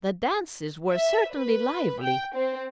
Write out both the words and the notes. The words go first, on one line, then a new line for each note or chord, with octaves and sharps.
The dances were certainly lively.
E5
B4
G5
C4